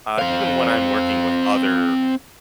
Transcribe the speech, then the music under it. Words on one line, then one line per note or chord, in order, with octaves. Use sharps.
uh, even when I'm working with other,
C4 F5